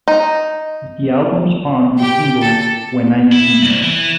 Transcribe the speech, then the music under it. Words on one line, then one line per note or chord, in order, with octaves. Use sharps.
The album spawned the single "When I See You".
D#4
G4 G5
A4
E4
C2
E3